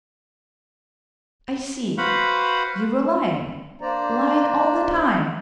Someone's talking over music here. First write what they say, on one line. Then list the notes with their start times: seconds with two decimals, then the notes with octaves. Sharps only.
I see... you were lying... lying all the time....
1.98 F#4 B4 C5 F5 F#5 B5
3.81 A#3 D4 C5 D5 A#5